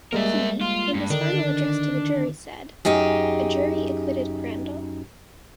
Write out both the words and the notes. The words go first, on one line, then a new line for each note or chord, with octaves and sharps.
Key, in his final address to the jury said: A jury acquitted Crandall.
G3 G#3 A#3 A#4 E5
F4
G2
D3 D#3 D4 D#4
F#2 D#4 G4 G#4